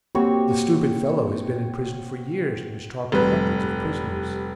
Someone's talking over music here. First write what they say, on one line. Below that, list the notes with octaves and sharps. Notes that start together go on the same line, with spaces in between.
The stupid fellow has been in prison for years and has talked to hundreds of prisoners.
A#3 C4 F#4 G4 C#5
F1 G3 B4